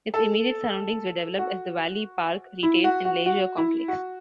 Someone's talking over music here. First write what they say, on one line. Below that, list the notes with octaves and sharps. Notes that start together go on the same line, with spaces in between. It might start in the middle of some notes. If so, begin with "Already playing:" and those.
Its immediate surroundings were developed as the Valley Park Retail and Leisure Complex.
A4
F#4
E4
F#4
F#4
F#4
E4
F#4